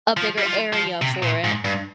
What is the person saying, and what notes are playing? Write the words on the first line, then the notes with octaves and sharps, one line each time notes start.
a bigger area for it,
F3
G3
F3
F3
C3
A#2
G#2
G2